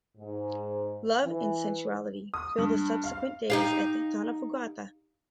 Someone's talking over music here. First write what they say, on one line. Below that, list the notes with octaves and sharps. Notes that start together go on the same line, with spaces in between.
Love and sensuality fill the subsequent days at Donnafugata.
G#2
E3
D#6
G2
F5
D#4 G4 F5